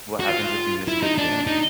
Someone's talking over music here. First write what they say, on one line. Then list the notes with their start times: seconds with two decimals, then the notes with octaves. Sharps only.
What happens if you miss the gym?
0.20 F#4
0.29 F4
0.88 E4
1.03 D#4
1.18 D4
1.47 D#4